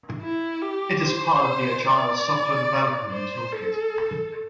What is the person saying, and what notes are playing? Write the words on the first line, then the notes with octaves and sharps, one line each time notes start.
It is part of the agile software development tool kit.
E4
G4
C5
D5
C5
A4